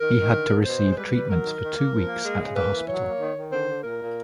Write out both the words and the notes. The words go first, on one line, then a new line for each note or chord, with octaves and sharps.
He had to receive treatments for two weeks at the hospital.
D#3 A#4
D#3
D3
D3
B2 C5
G#3
C5
G3 B4
G3
F#3 A#4
D#3
D#3
A#3
F3
A#3
G#3
C#3
A#3 B4
E3
F#3 C#5
A#3
D#3
D#3
D3 C5
D3
A#2 A#4
A#2